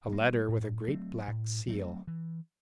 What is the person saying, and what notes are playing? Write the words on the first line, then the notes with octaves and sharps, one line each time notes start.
A letter with a great black seal!
G3 A#3
A2
F#3 A3 C4
A2
F#3 A3 C4
E3